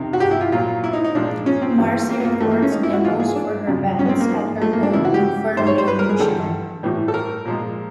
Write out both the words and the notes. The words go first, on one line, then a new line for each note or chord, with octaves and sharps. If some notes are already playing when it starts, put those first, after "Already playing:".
Marcie records demos for her bands at her home in Ferndale, Michigan.
Already playing: F2 C3 D#3
F#4
G4
E4
F4
A#2 F#3 F4
E4
D#4
D#4
A#2 F3 G#3 D4
C#4
C4
G2 E3 G#3
A#3
B3
A#3
G2 E3 G#3 A3
A#3
C#4
D#4
E4
F#4
G#2 E3 G#3 F4
G#4
D4
F2 C#3 F#3
C#4
B3
C4
A#3
G#2 F3 G#3
A3
A#3
D4
F2 C#3 E3 E4
F#4
G4
G#2 D#3 G3 C5
C#5
C5
B4
A#4
G#4
G2 D3 G3 A4
A2 E3 G3
A4
A#4
A#2 F3 G#3